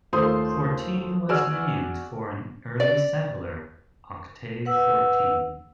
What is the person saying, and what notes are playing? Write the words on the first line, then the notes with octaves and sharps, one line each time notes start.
Fortine was named for an early settler, Octave Fortine.
D#2 A3 F4 C5 C6 D#6
F#4 G#4 D5 G#5 E6 F6
D5
B4 F#5 E6